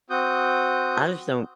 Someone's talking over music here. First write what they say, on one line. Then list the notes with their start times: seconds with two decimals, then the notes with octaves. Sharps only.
I just don't
0.10 C4 F#4 D#6 G6